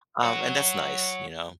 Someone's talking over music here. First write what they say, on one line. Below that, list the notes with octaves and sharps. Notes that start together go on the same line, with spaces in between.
Um, and that's nice, you know?
C#5 F#5